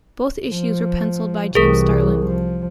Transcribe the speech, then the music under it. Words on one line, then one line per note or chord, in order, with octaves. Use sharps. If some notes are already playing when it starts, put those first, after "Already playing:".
Both issues were penciled by Jim Starlin.
F3
C2 E3 G#4 A#4
F3